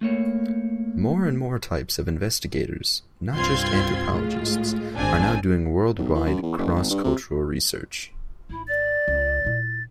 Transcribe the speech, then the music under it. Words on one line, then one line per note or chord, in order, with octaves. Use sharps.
More and more types of investigators-not just anthropologists-are now doing worldwide cross-cultural research.
A3 A#3 C#5
C2 G2 C4 F4 C6 G#6
A2 G#3 F4
G#1 C4 D4 G#5
B1
E3
F#2
E2
F#1
G#1
G2
C3
G#1 E4
D5 A6
C#2
A#2 E4